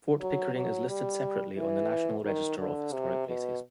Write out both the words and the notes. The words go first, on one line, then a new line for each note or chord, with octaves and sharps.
Fort Pickering is listed separately on the National Register of Historic Places.
F#3
F#3
G3
E3
D#3
D3
C3
B2